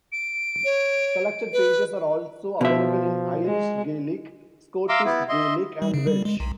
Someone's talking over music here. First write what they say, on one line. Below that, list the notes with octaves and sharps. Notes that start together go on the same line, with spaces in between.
Selected pages are also available in Irish Gaelic, Scottish Gaelic and Welsh.
D7
C#5
B4
B2 F3 E5
G#3
E5 F5 A#5 C6 D6 E6
B3 E4
D#5 E5 C6
G3
C#3
G3
G#3
B1